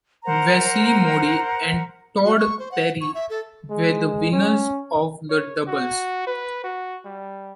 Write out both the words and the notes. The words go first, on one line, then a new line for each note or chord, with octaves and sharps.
Wesley Moodie and Todd Perry were the winners of the doubles.
A#4 C5 F#5 A#5
F#4
C#6
C5
F#5
C#6
E5
A4
G#3
C#4
C#5
F#4
B4
F#4
G3